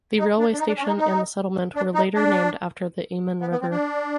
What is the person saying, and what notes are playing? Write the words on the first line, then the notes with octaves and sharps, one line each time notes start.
The railway station and settlement were later named after the Iman River.
D#4
D4
D4
D#4
D4
C#4
D4
D#4
D#4
D4
D#4
D4
B3
B3
C4
D4